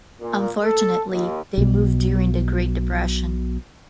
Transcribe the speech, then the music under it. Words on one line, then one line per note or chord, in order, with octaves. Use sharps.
Unfortunately, they move during the Great Depression.
A#2
A4
D#2
B1 B2